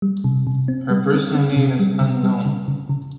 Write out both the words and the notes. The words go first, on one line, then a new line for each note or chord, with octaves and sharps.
Her personal name is unknown.
G3
C3
C3
C4
G3
C4
C4
C3
G3
C#3
G3
C#3
C#3
C#3